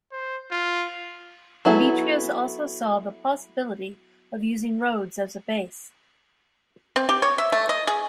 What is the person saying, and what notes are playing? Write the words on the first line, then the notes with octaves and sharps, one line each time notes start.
Demetrius also saw the possibility of using Rhodes as a base.
C5
F4
F#3 B3 E4 G#4 A4
C4
G4
C#5
E5
A3
D#5
G#4